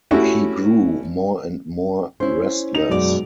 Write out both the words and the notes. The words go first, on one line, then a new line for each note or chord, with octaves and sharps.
He grew more and more restless.
A3 C#4 E4 F#4 G4
C#4 E4 C5
D#4 F7
F#2 B2 F#3 G#3 D5